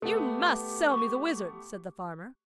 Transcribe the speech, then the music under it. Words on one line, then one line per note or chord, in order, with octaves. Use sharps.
'You MUST sell me the wizard,' said the farmer.
A3 B3 G4 A4
C#6